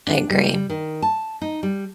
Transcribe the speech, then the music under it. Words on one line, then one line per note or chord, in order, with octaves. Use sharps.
I agree.
D4
G3
G3
D#3
A5
D#4
G3